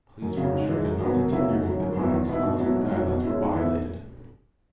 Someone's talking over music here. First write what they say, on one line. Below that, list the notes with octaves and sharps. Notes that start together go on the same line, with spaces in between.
Police were instructed not to interfere with the riots unless the guidelines were violated.
F#2
C#3 F#3 C#4
G#2
E3 G#3
F#2
F#3 B3
F#2
C#3 F#3 B3 E4
G#2
F#3 C#4
F#2
F#3 B3 E4
E2
B2 B3 E4
B2
F#3 B3 E4
G#2
F#3 E4
B2
G#3 C#4 E4
G#2
E3 B3 E4